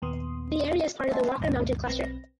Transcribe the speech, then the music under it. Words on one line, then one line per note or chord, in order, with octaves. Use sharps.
The area is part of the Walker Mountain Cluster.
D#2 A#2 B3 C6 D#6
D#5 E5 F#5 G#5 A5 C6
D2 G2 A#2
B1 C4 B4 A#6